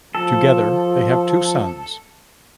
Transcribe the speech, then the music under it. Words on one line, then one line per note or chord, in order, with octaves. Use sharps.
Together, they have two sons.
F3 A4